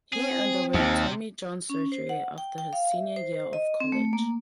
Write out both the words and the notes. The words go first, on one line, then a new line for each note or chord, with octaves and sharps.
He underwent Tommy John Surgery after his senior year of college.
C4 G#4
D#2 C3
C#4
C5
F#5
G5
G5
F5
E5
C5
D#5
C4
A3
A#3